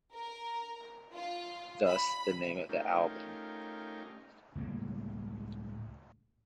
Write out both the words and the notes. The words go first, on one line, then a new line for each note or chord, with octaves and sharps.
Thus, the name of the album.
A#4
F4
B5
A3 C#4 D#4 F4 G4 A#4
C#2 A2 G3 A#3